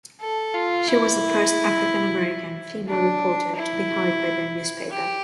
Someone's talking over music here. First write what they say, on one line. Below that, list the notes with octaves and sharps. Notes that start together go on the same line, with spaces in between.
She was the first African-American female reporter to be hired by the newspaper.
A4
F4
E4
D4
E4
G4